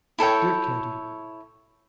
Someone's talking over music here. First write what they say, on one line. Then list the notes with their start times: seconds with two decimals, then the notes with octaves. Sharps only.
Dear Katie!
0.19 E4 A4 C#5 G5